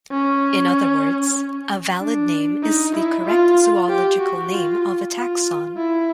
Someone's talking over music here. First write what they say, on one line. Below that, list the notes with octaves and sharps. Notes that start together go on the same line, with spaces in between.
In other words: a valid name is the correct zoological name of a taxon.
C#4
D4
D#4
E4
F4
G4
F#4
F4
F4
E4